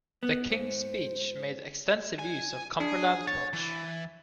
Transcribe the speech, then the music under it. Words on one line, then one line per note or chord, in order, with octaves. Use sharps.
"The King's Speech" made extensive use of Cumberland Lodge.
B3 B4
G#2 C5
G#5
D4 G#4
C#5 A6
E3